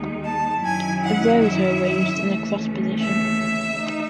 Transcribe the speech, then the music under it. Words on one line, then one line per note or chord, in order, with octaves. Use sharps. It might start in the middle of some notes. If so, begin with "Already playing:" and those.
The rows are arranged in a cross position.
Already playing: D#2 D#3 G#3 D#4
A5
F#2 D#3 F#3 C#4 E4 G#5
F#5
E5
D#2 C#3 E3 A3 C#4
E5
A3 D#4